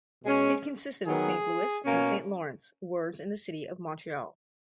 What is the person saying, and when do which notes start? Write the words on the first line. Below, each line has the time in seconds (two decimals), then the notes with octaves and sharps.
It consisted of Saint Louis and Saint Lawrence wards in the city of Montreal.
0.24 B2 G#3 C#4
1.05 D#3 F#3 B3 G#4
1.85 B2 A#3 C#4